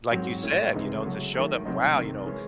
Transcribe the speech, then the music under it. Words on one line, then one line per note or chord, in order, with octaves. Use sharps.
like, you said, you know, to show them, "Wow, you know,
G#2 F#3 C4 F#4
A2 G#3 C#4 E4
C#2 C3 E3 G#3 D#4
C#3 F#3 A3
D#3 F#3 A3
C2 C3 F#3 C4 D#4
C2 C3 D#3
E3 G#3 C#4